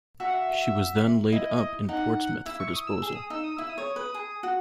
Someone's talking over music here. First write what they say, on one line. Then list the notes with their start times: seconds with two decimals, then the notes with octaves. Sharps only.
She was then laid up in Portsmouth for disposal.
0.20 F#4 E5
0.27 F#5
0.34 E5
1.32 E4 D#5
1.89 D#4 F#5
2.46 E4 E6
2.60 C#6
2.74 D#6
2.87 E6
3.02 G#4 E6
3.15 D#6
3.30 D#4 E6
3.44 D#6
3.57 E4 E6
3.69 D#6
3.78 C#5
3.96 B4
4.14 G#4
4.43 F#4